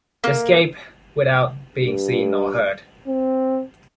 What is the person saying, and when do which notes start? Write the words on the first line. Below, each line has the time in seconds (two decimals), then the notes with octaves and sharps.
They scape without being seen nor heard.
0.24 A#3
1.76 G2
3.08 C4